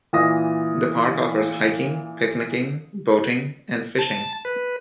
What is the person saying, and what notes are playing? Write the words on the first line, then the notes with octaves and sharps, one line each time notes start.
The park offers hiking, picnicking, boating, and fishing.
A#2 E3 D#6 A#6
A5
B4